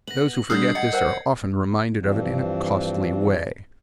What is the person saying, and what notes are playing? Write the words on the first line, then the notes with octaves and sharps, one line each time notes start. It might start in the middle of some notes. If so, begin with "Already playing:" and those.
Those who forget this are often reminded of it in a costly way.
B3 A#6 F#7
D3 G3 D4 D#6 G6 G#6 C7
G3 D#5 F#5 G#6 C#7
A#4 C5 F#5
G2 E3 F3 C4 D4